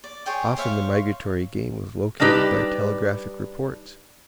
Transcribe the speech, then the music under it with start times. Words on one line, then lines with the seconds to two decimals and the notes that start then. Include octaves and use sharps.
Often the migratory game was located by telegraphic reports.
0.04 D5
0.25 G#4 C#5 G5 C6
0.57 C5 C#5 E5 F5
2.20 G3 D4 D#4 G4 B4